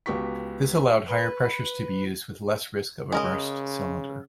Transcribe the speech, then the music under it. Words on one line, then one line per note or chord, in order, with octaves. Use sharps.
This allowed higher pressures to be used with less risk of a burst cylinder.
C#2 B3 F#4 G4 C#6 B6
B4
C#3 G#3 A#4 D#5